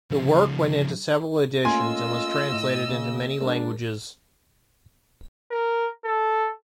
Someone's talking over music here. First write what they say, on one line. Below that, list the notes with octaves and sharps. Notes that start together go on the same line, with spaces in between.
The work went into several editions and was translated into many languages.
C#3 F3
A3 A#3 C#4 F4 D#5 G#5 C6 E6
A2
C#3 A#3
G#3 D4 A#4
A#4
A4